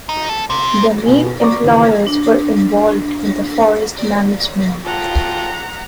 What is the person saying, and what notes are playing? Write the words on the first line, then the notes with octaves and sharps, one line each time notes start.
The main employers were involved in the forest management.
D#4
A4
C3
B2 G#5
D5 A#5 C#6 D6
D#2 C#3 E3
D4
D5
F4 F#5 G5 A5 A#5